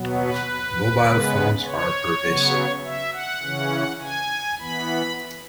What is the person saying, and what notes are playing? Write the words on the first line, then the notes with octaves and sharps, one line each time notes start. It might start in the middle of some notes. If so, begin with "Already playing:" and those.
Mobile phones are pervasive.
Already playing: B2 F#3 B3
B4
C#3 G#3 B3
C#5
C#3 F#3 B3
E5
F#5
C#3 E3 C#4
G#5
E3 B3 B5